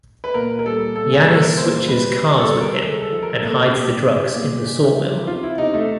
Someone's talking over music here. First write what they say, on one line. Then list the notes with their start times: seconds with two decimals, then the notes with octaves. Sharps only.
Yanis switches cars with him and hides the drugs in the sawmill.
0.24 B4
0.34 A#2 A#4
0.59 A#4
0.66 G3 A4
0.95 A#2 A4
1.12 G#4
1.26 G3 A4
1.42 A#4
1.57 A#2 C5
1.88 G3 B4
2.20 G3
2.39 A4
2.50 G3
2.61 A#4
2.81 G#3 A4
3.01 A4
3.12 F3
3.22 A#4
3.43 A#2 A4
3.73 A#2 G4
4.05 G#3
4.35 A#2
4.67 G#3
4.97 F3
5.27 C3 F4
5.43 E4
5.58 C3 D#4
5.74 A3